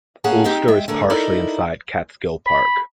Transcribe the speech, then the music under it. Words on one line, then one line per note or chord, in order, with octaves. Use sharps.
Ulster is partially inside Catskill Park.
A#3 C#4 G#4 F#5 G#5 A5
C4 D#4 G4 G#4 D#5 G5
G#3 E5 G5
D3 A3 G#4 A#4
D#4 E4 A4 A#4 D5 D#5
B5